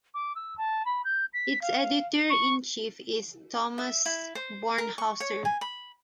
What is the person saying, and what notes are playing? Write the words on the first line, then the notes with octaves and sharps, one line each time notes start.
Its editor-in-chief is Thomas Bornhauser.
D6
E6
A5
B5
G6
B6
F5
C#6
E5
E4
C5
A#4
C#6
C#5
G#5
B5